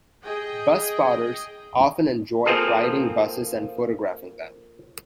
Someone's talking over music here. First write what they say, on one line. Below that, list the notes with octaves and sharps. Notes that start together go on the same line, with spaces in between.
Bus spotters often enjoy riding buses and photographing them.
G#4 D#5 G5
F3 A#3 C4 F4 G#4 A4